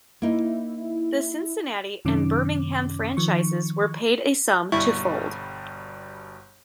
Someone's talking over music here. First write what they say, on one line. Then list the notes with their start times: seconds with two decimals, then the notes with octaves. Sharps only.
The Cincinnati and Birmingham franchises were paid a sum to fold.
0.22 A#3 D#4 E4
2.05 F#2 C3 D#3 C#4 D6
3.17 D#3 F3 C#6
4.72 G1 B2 G3 E4 C#6